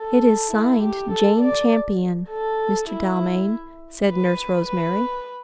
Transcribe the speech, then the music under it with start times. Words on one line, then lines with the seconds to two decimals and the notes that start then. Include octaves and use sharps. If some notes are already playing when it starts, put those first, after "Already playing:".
"It is signed 'Jane Champion,' Mr. Dalmain," said Nurse Rosemary.
Already playing: A4
0.52 E4
0.82 G4
1.11 A4
1.41 D5
2.30 A4
2.89 E4
4.07 B4
4.66 B4